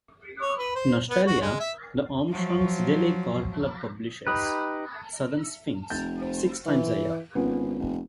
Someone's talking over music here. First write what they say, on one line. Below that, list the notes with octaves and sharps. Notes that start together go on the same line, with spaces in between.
In Australia, the Armstrong Siddeley Car Club publishes "Southern Sphinx" six times a year.
C#5
B4
C5
B3
F#4
G#3
E5
F3 F#3
D#4 G4 B4 B5 D#6 F#6
F1 G6 A6
C5
E3
G#1 B3 C#4 F4
F1